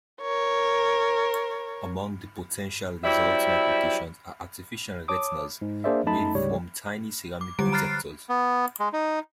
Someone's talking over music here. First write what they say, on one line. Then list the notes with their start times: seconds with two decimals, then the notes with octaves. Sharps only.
Among the potential resulting applications are artificial retinas made from tiny ceramic detectors.
0.21 A#4 C#5
3.03 F#3 G3 C4 E4 D5 E5
5.08 C#5 A5 D6 D#6
5.62 G#2
5.84 A#3 D4 G#4 C5 D5 E5
6.06 F#2 A3 D#4 A5 B5
6.35 D2 G#2 C#3 G3 C#5
7.41 D6
7.59 D3 F#3 G3 G4 A#5 D7
7.72 A#5 B5 F6 F#6 A6 C7
8.29 B3
8.80 G#3
8.93 D#4